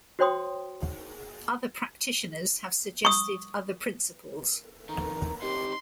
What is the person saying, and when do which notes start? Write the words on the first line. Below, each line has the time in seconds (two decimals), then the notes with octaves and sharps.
Other practitioners have suggested other principles.
0.19 F#4 C5 C#5 G5 C6 D#6
3.05 C#6 D#6
4.89 F2 D#3 A#5
5.42 C4 D#4 G4 C6